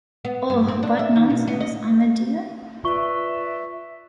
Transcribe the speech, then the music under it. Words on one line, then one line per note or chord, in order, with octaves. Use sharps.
Oh, what nonsense, Ahmed dear!
B3
G2
C4
D4
E5
D#3
B2
B3
D#5
F4 B4 D5 E5 C#6 G7